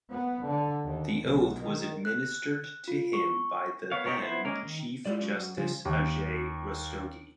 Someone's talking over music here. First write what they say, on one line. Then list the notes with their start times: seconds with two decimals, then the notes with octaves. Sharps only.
The oath was administered to him by the then Chief Justice Ajay Rastogi.
0.11 B3
0.44 D3
0.85 D#2
1.23 B1
1.61 D#3
2.05 F#6
2.88 F4
3.13 C#6
3.91 B3 C#5 F5
4.06 D#4 F#4 G4 A#4 C#5
4.20 B3 E4 C5
4.45 G#3 A#3 C#4 A#4
4.63 D#3
5.05 G#3 E4 F4 G4 D5
5.20 F#2
5.36 F#4
5.57 C#3 F3 G3
5.85 D#2